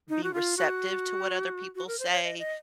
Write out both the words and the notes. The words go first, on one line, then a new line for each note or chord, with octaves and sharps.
be receptive to what other people say,
D#4
F#4
F4
F#4
F#4
A#4
C5
C#5
D#5
D#5